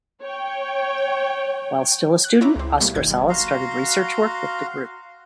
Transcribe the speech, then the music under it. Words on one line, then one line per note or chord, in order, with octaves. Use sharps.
While still a student, Oscar Sala started research work with the group.
C#5 G5
F#6 G6
E4 F4 C#5 E5 A#5 D6
C#2 C4
B2 G3 A3 A#3
G1 D#2 G6 G#6
G3
F#4 F5 A#5 C6